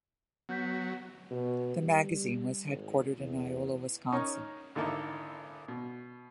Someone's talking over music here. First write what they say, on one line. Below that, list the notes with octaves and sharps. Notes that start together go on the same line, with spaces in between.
The magazine was headquartered in Iola, Wisconsin.
F#3 B3 G6 B6
B2
G3
G#1
E2
C#4 D#4 A#4 C#5
G#1 D3 A#3 D#4 E4 A4
B2